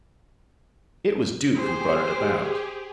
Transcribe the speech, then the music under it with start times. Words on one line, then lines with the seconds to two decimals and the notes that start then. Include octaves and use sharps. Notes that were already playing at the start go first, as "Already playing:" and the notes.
It was Duke who brought it about.
1.55 G4 G#4 C5